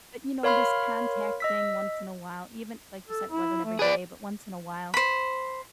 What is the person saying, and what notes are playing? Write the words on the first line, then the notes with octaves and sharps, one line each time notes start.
But, you know, this contact thing once in a while, even like you said, it wasn't every day, but once in a while,
A#4 C#5 F5 B5 C6 F6
D#5 E6 B6
A4
E4
A3
G#4 B4 D5
C5 B5